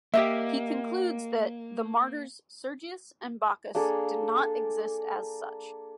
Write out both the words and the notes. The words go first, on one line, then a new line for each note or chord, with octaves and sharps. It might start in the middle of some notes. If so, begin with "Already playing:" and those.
He concludes that "the martyrs Sergius and Bacchus did not exist as such".
A#3 G4 D#5 E5
A#3 D4 G#4 A4